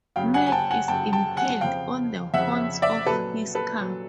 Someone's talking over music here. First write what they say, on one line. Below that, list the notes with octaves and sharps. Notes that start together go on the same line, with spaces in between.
Mac is impaled on the horns of his car.
F#2 C#3 F#3 F5 G5
F#5 G#5
G#5
G5 A5
F#5 G#5
F#2 C#3 F#3 G5 A5
G5 A5
F#5 G#5
F2 C#3 F3 F5 G5
F2 C#3 F3 E5 F#5
D5 E5
A#2 F#3 A4 B4
A4 B4
A#2 F#3